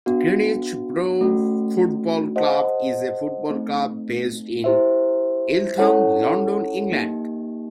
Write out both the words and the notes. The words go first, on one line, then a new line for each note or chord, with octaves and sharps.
Greenwich Borough Football Club is a football club based in Eltham, London, England.
B3 D4 F#4
A3 C#4 F#4
G#4 C5 D#5 F#5 A5
A3 C4 D#4
E4 G4 C5 E5
C#4 E4 A4 C#5 F#5
A#3 D#4 G4